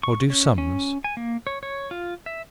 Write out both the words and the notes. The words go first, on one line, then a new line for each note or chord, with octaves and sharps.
"Nor do sums?"
C#6
C#4
C#4
G#5
A#3
C#5
C#5
F4
E5